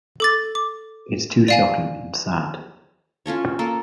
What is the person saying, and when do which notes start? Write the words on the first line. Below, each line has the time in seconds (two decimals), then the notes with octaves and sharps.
It's too shocking and sad.
0.20 A4 D6 A6
0.55 D6
1.48 D5 F5 G#5
3.26 C#4 F4 A4 C#5
3.59 A#3 A4